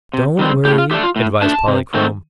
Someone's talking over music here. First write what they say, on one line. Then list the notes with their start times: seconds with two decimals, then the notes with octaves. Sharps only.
"Don't worry," advised Polychrome.
0.14 C3
0.39 D#3 G3 C4
0.65 A2 G4
0.78 F4
0.91 A3 D4 G4
1.04 F4
1.16 A2
1.42 A3 D4 A5
1.68 C3
1.94 D#3 A3 C4